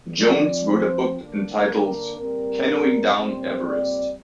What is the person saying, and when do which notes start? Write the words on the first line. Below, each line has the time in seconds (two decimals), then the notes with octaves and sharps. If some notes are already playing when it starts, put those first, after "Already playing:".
Jones wrote a book entitled "Canoeing Down Everest".
0.21 F3 C4 D5
0.70 C5
1.19 D3 A#3 D4
1.68 A#4
2.16 A#2 G3 C4 A#4
3.15 A#2 G3 C4 C5
3.65 D5